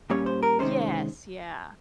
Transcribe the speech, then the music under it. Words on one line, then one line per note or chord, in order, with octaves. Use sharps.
Yes, yeah.
A#2 G3 C#4 C#5
C5
A#4
C3 D#3 G#3 C#4 C5